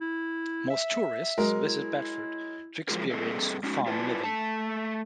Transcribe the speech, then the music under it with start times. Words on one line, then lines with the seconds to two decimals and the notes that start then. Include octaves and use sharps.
Most tourists visit Bedford to experience farm living.
0.01 E4
0.70 E5
1.38 F#3 G#3 A#4
1.66 E4
2.88 F3 F#3 G#3 F4 G#4 A#4
3.11 G2 G3 C4 G#4 A4 D#5
3.63 G#3 C#4 D#4 E4 F#4
3.86 E4 F4 B4 D5 G#5 A5
4.24 A3 A5